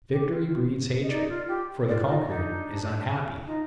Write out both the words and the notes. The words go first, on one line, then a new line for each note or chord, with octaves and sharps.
Victory breeds hatred, for the conquered is unhappy.
G4
F4
D#5
D#4 D5
F4
G4
F4 D5
F4
D#4 D5
D4 D#4
D#4 F4